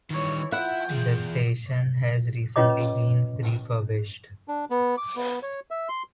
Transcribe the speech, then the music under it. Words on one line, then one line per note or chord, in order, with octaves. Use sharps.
The station has recently been refurbished.
D#3 E3 G3 C#5
F4 E5 F#5 G5 B5
E3 G#4
C#4 F4 B4 C#5 D#5 D6
D4
B3
D6
B3
C#5
E5
C6